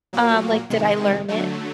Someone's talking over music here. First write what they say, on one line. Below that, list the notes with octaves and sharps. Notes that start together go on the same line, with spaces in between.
Um, like, did I learn it?
A#2 F#3 A#3
C3 D#3 G#3
D3 F#3 A3